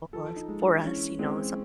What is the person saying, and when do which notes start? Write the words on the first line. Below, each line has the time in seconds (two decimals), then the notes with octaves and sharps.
us for us, you know, as some
0.13 F3 A4
0.36 D#4
0.48 G#3
0.61 D4
0.84 E3 C#4
1.19 G#3 C4